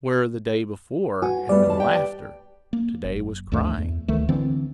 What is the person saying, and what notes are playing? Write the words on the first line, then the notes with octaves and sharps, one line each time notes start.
Where the day before had been laughter, to-day was crying.
F#4 B4 F#5 G#5
G3 A3 B3 B4 D5
D#2 A5
G4 G5
A#3
F#1
D2 G2 E3 A3
E2
D2 D#3 E3 A3
D3 E3 C4